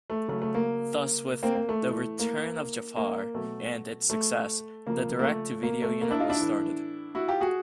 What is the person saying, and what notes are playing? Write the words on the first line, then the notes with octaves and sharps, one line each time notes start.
Thus with "The Return of Jafar" and its success, the direct-to-video unit was started.
A3
C#3 F#3 A3
A3
A#3
A#3 C4
A#3
A3
A2 E3
A#3
A#3
B2 F#3 A3
A3
C#3 F3 A#3
A#3
A3
A#3
A3
A#3
D4 E4
D#4 F4
D4 E4
A2 E3
E4 F#4
F4 G4
F#4 G#4